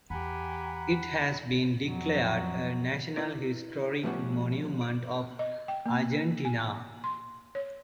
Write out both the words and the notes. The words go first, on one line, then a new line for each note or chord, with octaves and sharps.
It has been declared a National Historic Monument of Argentina.
E2 G4 F#5 G#5 A#5 B5
F2 F#3
E4 B4 D5
A2 F3 G3 B3 C#4 F#4
D5
D#5
G5
A#3
G#5
C6
C#5